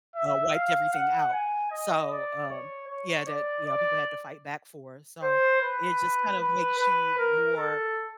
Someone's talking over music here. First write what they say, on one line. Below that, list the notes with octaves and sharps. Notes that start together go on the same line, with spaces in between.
uh, wiped everything out. So, um, yeah, that, you know, people had to fight back for, so, it just kind of makes you more,
E5
F5
F#5
G#5
D#5
D5
C#5
C#5
D5
D5
C5
B4
B4
B4
A#4
A4